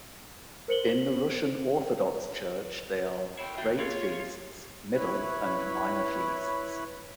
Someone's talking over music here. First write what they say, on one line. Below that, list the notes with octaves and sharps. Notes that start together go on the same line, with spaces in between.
In the Russian Orthodox Church they are: Great Feasts, middle, and minor feasts.
A#4 C5 C#7 F#7 G7
E4 G5
D#2 F#4 E5 G5
A#3 F4 G4 G#4 C#5
G4
E4 B4 C#5 B5